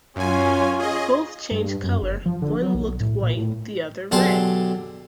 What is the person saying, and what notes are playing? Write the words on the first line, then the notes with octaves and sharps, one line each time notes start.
Both changed colour, one looked white, the other red.
F#2 C#4 F4 G#5
G#4 D#5
G2
F#2
G1
F3
D3
F#3
B1
A2
A#2
A2
B1 D3 G4 G#4 A5 C6